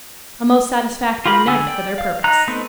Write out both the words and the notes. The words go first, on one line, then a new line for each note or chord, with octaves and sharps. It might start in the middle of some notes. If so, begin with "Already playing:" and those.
A most satisfactory night for their purpose.
F4 G4 A#4 B5
D3 F#5 G#5 E6
D5 G5
F5
D#4 A#5 F#6
A3 B3 C4 D#4